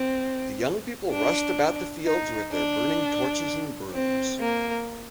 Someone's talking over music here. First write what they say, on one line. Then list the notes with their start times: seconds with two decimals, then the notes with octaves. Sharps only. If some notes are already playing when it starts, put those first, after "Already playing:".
The young people rushed about the fields with their burning torches and brooms.
Already playing: C4
1.11 D4
2.05 D#4
2.52 D4
3.93 C4
4.40 A#3